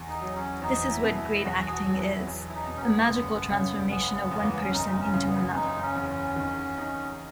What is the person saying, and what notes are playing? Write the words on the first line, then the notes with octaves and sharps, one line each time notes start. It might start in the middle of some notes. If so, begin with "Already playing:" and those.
This is what great acting is, a magical transformation of one person into another.
Already playing: E2
D#4
F#3
C#4
E2 D#4
E4
B2
E4
E2 F#4
G#4
F#4
F#3
E4
E2
E4
D#4
B2
C#4
B3
F#1
C#3
F#1 B3
E2
A#3
B3
C#4
F#1 D#4
D#4
C#4
C#3
B3
F#1 D#4
C#4
E2
C#4
D#3
D#4